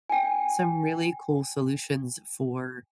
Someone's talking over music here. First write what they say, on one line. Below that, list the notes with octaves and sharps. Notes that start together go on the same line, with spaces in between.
some really cool solutions for
G5 G#5